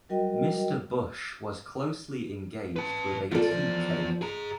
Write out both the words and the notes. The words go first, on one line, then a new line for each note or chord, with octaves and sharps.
Mr. Bush was closely engaged with a tea-cake.
F#3 G3 F#4 A#4 D#5 G5
B4 A5
E2 F4 A4 D5
F3
G#4 A#5